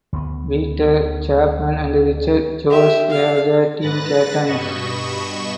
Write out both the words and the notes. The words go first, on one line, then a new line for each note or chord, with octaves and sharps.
Peter Chapman and Richard Joyce were the team captains.
D2 B3
G4 E5
F5
G#2 B4 F#6 A6 A#6
G2 B2 D#5 B5 C#6 E7